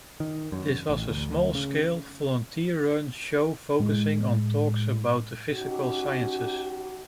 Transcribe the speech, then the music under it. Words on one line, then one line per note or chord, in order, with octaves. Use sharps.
This was a small scale, volunteer-run show focusing on talks about the physical sciences.
D#3
F#2
A1
D2
C#3
A2 G#3
C#4 D#4 F#4 G4